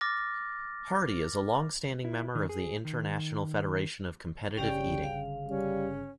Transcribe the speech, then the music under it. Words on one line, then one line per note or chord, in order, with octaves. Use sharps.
Hardy is a long-standing member of the International Federation of Competitive Eating.
D6 F6 A6 A#6
E4
D#3
G#4
D#3
G1 C#3 C#4 G4 D5 G5
F5
G3 C#4